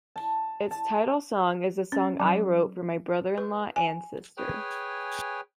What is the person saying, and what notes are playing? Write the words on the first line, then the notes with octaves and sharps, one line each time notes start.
Its title song is a song I wrote for my brother-in-law and sister.
A5
A5
C#4
F#3
B4
G#5
G#4 B4 C#5 G5 G#5